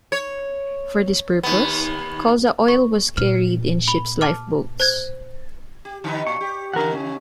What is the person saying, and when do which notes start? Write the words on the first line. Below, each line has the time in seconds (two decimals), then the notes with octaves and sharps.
For this purpose, colza oil was carried in ship's lifeboats.
0.12 C#5
1.43 D#2 B3
2.68 C#6
3.17 A#2 F6
3.88 B5 F7 G7
4.21 A5 D6 F6
4.80 C5 F#6 G#6
5.85 G4
6.04 D3 D#4 B4
6.27 A2 C#6
6.41 G4
6.74 C#3 E3 A#4 F#5
6.93 C#4